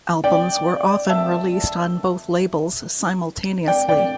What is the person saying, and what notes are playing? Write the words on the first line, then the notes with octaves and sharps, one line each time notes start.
Albums were often released on both labels simultaneously.
D5 G5
E5 A5
D5 G5
D5 G5